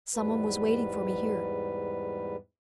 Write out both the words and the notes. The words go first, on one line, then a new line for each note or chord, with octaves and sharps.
"Some one was waiting for me here."
E2 G#2 G3 B4